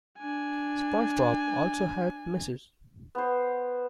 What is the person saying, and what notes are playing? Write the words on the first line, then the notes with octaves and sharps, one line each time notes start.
SpongeBob also helps Mrs.
D4 G#5
B3 C5